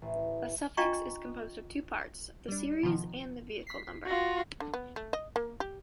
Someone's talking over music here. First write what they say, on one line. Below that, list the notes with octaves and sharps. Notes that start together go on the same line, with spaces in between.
The suffix is composed of two parts: the series and the vehicle number.
A1
D4 F4 D#5 G5 A#5 C#6
G3 D4
B2 D#3 F3
B6 C7
F4 F#4
D3
B3
A3
D#5
A#3
G4